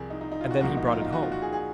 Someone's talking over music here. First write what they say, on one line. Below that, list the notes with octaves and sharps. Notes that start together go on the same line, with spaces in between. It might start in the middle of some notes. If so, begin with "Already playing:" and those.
And then he brought it home.
Already playing: C2 C3 F3 G#4 A#4
D#4
D#4
D#4
F4
F#4
C2 A#2 F3 A#3 F#4
D#4
D#4
F4
D#4
F#4
F4
F#4
G#4
G#4